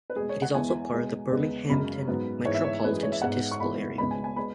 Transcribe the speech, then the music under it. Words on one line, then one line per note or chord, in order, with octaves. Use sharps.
It is also part of the Binghamton Metropolitan Statistical Area.
B4
E2 B2 G#3 G#4
C#5
F#5
E2 E3 G#3 B3 G#5
B2 G#3 B3
E2 C#3 G#3 B3
F#2 C#3 G#3 B5
G#2 F#3 B3
G#2 E3 G#3 B3 C#5
E5
C#5
F#2 E3 G#3 B4
G#4
C#5
E5
G#2 G#3 B3 F#5
C#6
G#2 E3 B3 B5
C#2 B2 G#3 B3 B5
G#5
G#5
G#3 B3 B5